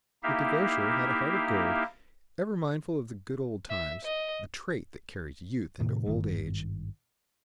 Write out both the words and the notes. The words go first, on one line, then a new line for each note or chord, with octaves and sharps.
But the grocer had a heart of gold, ever mindful of the good old times--a trait that carries youth into old age.
A#3 D#4 E4 G4 E5 F5
E5
D#5
A2 C3 D#3
G#1 G2 D#3